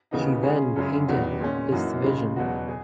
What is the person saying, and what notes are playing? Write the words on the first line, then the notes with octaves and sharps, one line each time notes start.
She then painted this vision.
D#2 C#3 E3 B3 D#4
C#3 G#3 C#4 G#4
F#2 C#3 G#3 C#4 G#4
E2 D#3 F#3 B3 F#4
A#2 G#3 C#4
F#2 E3 A#3 D#4 F#4
D#2 C#3 G#3
E2 B2 F#3 B3 F#4
G#4